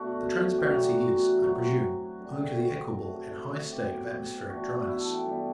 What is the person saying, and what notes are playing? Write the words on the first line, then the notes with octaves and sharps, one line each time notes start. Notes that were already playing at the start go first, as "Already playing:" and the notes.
The transparency is, I presume, owing to the equable and high state of atmospheric dryness.
Already playing: B2 A3 D4 F#4
G4
F#2 E3 G3 B3 F#4
F#2 F#3 C4 E4 F#4
G2 D3 G3
F#4
C3 F#3 A3
C3 F#3 B3 G4
E3 B3 D4 F#4
E4
A4
G5
G2 E3 G3 B3